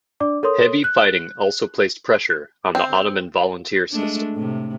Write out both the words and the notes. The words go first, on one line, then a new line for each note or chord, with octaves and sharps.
Heavy fighting also placed pressure on the Ottoman volunteer system.
D4 D5 D6
A4 A#4 C#5 C6 D#6
F#6
C4
G#3 A3 D4
A2 C3